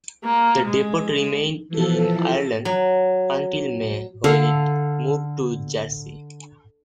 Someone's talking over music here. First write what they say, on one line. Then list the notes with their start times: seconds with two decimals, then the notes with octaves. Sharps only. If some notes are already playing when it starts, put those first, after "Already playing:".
The depot remained in Ireland until May, when it moved to Jersey.
0.24 A#3
0.66 G#3
1.69 E3 F3 A4
2.65 F#3
4.24 D3 A4 F5